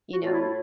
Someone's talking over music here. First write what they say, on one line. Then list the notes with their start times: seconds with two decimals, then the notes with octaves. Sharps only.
you know,
0.13 F#4
0.22 A2 F4
0.32 E4